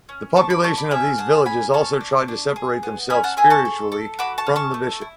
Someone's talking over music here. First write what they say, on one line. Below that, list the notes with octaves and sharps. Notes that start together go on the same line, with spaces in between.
The population of these villages also tried to separate themselves spiritually from the bishop.
C#4
D4 A5 C#6
B5 D6
D4 A5 C#6
B5 D6
C#4 E5 G#5
G#4 F#5 A5
C#4 G#5 B5
C#4 A5 C#6
D4
D4
G#4
B3
C#4 G#5 B5
F#5 A5
G#4 E5 G#5
A5 C#6
A4
A4
F#4 B5 D6
A5 C#6
C#4
A5 C#6
A3
E4